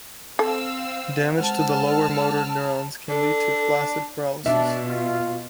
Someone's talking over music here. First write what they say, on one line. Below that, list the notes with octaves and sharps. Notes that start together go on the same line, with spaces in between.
Damage to the lower motor neurons can lead to flaccid paralysis.
C4 A4 F5 E6
G#3 C5 F#5 A5 E6 F6
D4 A4
B2 D4 E5
F4